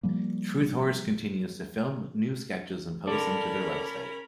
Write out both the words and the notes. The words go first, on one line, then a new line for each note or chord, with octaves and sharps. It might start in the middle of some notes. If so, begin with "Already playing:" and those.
Truthhorse continues to film new sketches and post them to their website.
F3 G3 A#3
C#4 A4 A#4 D5 B5